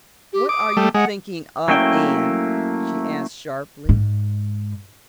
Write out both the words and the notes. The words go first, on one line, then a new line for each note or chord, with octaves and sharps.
"What are you thinking of, Anne?" she asked sharply.
G4
D6 D#6
G3 A3
G#3 F#5
F#3 A3 A#3 C#4 E4 G5
G#2